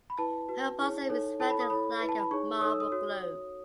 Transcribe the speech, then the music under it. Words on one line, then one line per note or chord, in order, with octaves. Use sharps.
Her bosom is rounded like a marble globe.
B5
E4 B4 A5
F#4 B4
E4 G#4 C#5
D#4 A4 C#5
E4 A4 C#5 A5
B5
D#6
E4 A4 C#5 B5
E4 B4
A5
B5
D#4 G#4 C#5 C#6
D#4 A4 C#5 D#6
E6
D#6
F#4 C#5